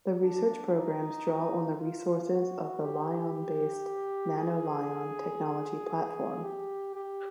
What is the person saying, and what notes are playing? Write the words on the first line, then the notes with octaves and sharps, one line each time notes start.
The research programs draw on the resources of the Lyon-based Nanolyon technology platform.
D4
D#4
F4
F#4
G4
G#4
G4
G4